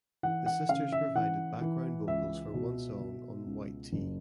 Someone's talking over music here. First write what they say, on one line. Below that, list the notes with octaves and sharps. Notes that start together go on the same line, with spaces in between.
The sisters provided background vocals for one song on "White T".
E3 F#5
F#5
C#3 F5
E5
E3 F#5
E3
C#2 E5
B2
B2
C#2
F#1